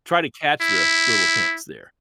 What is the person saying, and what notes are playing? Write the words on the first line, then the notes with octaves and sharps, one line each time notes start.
try to catch the little hints there.
E4